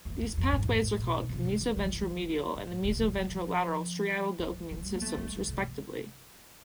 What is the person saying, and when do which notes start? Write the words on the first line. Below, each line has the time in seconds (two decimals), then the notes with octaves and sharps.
These pathways are called the meso-ventromedial and the meso-ventrolateral striatal dopamine systems, respectively.
0.05 E2
0.22 E2
0.37 F2
0.52 G#2
0.68 A2
0.98 B2
1.29 C3
1.45 D3
1.60 F3
1.76 F3
1.92 E3
2.22 D3
2.54 A2
2.70 A2
2.85 C3
3.00 F3
3.15 F3
4.39 F3
4.71 F3
4.92 B3
5.01 A3
5.18 G#3
5.33 E3
5.48 C3